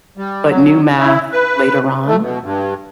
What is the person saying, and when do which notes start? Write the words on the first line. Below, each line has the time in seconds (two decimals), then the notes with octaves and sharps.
but new math later on."
0.18 G3
0.49 F#3
0.99 E4
1.32 B4
2.07 A3
2.22 B2
2.43 G2